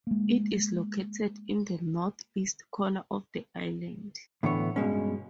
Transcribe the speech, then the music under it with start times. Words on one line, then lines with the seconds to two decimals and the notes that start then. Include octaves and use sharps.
It is located in the north-east corner of the island.
0.07 G#3 A#3
4.43 A2 D3 E3 B3 C#5
4.76 G2 B2 G#3 C#4